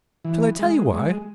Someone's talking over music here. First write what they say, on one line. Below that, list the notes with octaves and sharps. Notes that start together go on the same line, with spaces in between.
Shall I tell you why?
E3
G#3
G#3